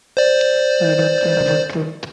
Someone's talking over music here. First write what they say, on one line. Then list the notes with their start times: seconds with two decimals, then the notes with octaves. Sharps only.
I don't care about truth.
0.17 C5 D5